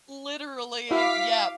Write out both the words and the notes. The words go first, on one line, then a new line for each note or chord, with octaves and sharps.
Literally! Yep!
E4 F#4 E5 F5 D6 B6